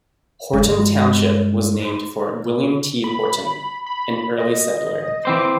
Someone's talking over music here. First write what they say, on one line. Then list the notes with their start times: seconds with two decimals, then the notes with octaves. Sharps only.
Horton Township was named for William T. Horton, an early settler.
0.53 G2 G#3
3.04 B5
3.86 B5
4.38 D#5
5.25 E3 C4 C5 D6